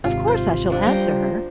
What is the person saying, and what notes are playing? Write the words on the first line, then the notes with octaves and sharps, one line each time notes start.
"Of course I shall answer her."
G#1 C3 F4
C5 C6
F3 D4
G3 C5 G5 A#5